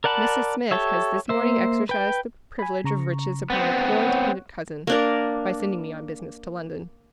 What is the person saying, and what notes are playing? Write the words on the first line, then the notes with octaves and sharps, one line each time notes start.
Mrs. Smith has this morning exercised the privilege of riches upon a poor dependent cousin, by sending me on business to London.
A#4 D5 F#5 A5 B5
G4 A4 C#5 E5
A#3 C5 E5
B4 G5
G#5 B5
C#3 A#5 C#6
B3 C4 A6 B6
C#5 F#5
A#3 D4 A#4